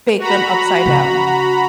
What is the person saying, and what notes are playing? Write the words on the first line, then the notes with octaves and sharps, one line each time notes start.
bake them upside down.
F#4 A#5 B5
C#3